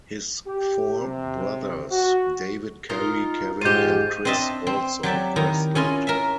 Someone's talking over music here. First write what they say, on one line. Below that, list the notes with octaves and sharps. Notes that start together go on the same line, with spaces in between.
His four brothers, David, Kerry, Kevin and Chris, also wrestled.
G4
C3
F#4
D#4 F4 A#4
G#2 F4 G4 G6 D#7
C4 D4 D#5 E5 A5
C4
F#3 G4 D5 E5
D#3 E4 A#5
C#4 E4 F4 D#5
A#4 E5